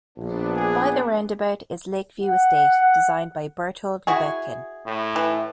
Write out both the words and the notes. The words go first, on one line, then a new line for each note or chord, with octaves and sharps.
By the roundabout is Lakeview Estate, designed by Berthold Lubetkin.
A#1 B3 D4
G#4
F#5
E4 F#4 G#4
A2
E3